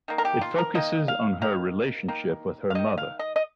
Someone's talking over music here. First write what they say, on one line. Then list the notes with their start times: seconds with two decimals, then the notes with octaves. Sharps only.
It focuses on her relationship with her mother.
0.08 D#3 A#3
0.18 A#4
0.25 G4
0.41 F4
0.58 A#4
0.75 D#3 A#3 D#5
1.08 F5
1.41 D#3 A#3 F5
2.08 D#3 A#3
2.70 F5
2.75 D#3 A#3 D#5
2.98 F5
3.19 D#5
3.36 D#5